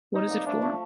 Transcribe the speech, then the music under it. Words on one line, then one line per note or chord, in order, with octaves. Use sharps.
What is it for?
D#4
G3 A#3 C4
A3 C4 D4
F3 A3